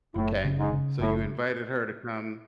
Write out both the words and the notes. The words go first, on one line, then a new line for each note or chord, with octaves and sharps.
Okay. So, you invited her to come
F#1 A2
C#3
G#2
C#3
F#1 A2